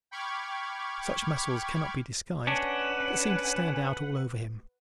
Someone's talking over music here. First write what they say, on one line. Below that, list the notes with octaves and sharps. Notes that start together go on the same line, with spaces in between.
Such muscles can not be disguised but seem to stand out all over him.
G5 B5 C#6 D6 F6 G#6
C#4 D4 B4 F#5